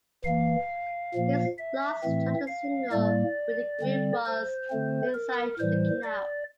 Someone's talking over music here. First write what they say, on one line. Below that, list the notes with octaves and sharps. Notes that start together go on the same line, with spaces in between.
His last charted single with the group was "Inside Looking Out".
E3 A#3 F5
A#2 F3 A#3
E5
A2 E3 A3 C4
F5
A2 G3 A#3 D5
D3 G3 C4
C5
D3 A3 C4
A#4
A2 E3 G3 C5
D5